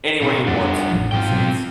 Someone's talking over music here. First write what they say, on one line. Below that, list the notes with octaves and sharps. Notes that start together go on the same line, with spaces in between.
anywhere you want to, in a sense.
B2 C4 D#4
F2 G3 D4 F#5
A1 F3
G#2 C4 F4 G5
B2 F#3 G#3